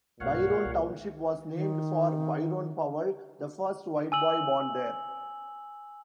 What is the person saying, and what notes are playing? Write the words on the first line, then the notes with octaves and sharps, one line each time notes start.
Byron Township was named for Byron Powell, the first white boy born there.
B1 G2 A#2 C#5 F5 F#5
C2
D#3
G#5 E6 F#7